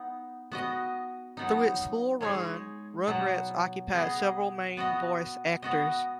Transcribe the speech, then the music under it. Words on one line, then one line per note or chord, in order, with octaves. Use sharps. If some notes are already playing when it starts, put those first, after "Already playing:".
Through its full run, "Rugrats" occupied several main voice actors.
Already playing: B3 D#4
B3 F#4 D#5
F#3 B3 D#4
G#3 D#4 G#4 C#5
B2 F#3 B3
B3 G#4 D#5
B3 F#4 D#5
B3 F#4 D#5